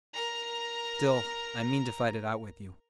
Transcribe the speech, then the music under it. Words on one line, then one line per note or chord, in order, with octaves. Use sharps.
Still I mean to fight it out with you.
A#4 A#5